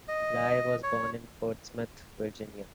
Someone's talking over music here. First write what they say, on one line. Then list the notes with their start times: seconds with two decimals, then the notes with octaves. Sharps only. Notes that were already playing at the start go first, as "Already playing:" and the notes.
Bly was born in Portsmouth, Virginia.
0.08 D#5
0.83 C#5